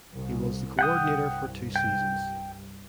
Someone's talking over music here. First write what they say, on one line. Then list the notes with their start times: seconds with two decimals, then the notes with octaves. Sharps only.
He was the coordinator for two seasons.
0.14 C2
0.79 C2 G2 F#5 G5 D#6
1.76 G5